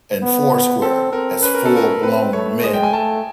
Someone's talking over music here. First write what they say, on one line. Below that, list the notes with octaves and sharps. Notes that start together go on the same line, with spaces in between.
and Four Square as full blown men,
B3
C4 A4
C4 A#4
C#4 B4
A#4
A4
A#4
C4 B4
A3 C#5
G#3 D#5
G5
G#5
A3 A5